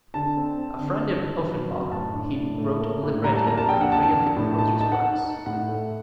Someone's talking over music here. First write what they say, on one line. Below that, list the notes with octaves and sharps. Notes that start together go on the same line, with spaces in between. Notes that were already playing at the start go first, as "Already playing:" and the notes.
A friend of Offenbach, he wrote libretti for three of the composer's works.
D3 A5
C4
C4
D3
G1
D#3
F#3
F#2
A2 A5
D4
A2
A3
A#3
A2
G3 A#5
A5
A#3 A#5
A5
A#1 G5
F#5
A#1 A5
A5
A#1
A2
D#4 A5
D#4 A5
F#5
D#4
D#4
A2 F#5
A3